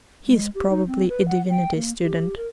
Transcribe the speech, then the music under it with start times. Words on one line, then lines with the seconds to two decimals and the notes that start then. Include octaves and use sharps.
He's probably a divinity student.
0.27 G#3
0.55 G4
0.70 D#4
0.87 C4
1.09 B4
1.28 F#5
1.50 G5
1.76 A#3
2.02 G4
2.37 A#4